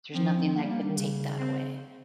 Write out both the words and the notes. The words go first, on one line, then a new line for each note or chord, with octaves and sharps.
There's nothing that can take that away,
F3 C4
C#4
C4
C4
G3 A#3
A#3
D#3
C#3
C4